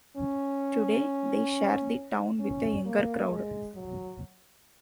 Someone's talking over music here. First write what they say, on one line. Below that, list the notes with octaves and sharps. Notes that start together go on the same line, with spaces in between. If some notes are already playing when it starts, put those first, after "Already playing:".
Today, they share the town with a younger crowd.
C#4
C#4
A#3
G#3
F#3